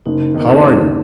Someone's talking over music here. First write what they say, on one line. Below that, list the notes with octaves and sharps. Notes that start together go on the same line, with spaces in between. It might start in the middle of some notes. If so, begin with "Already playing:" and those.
"How are you?"
F#1 D#4
E2 D#3
F#1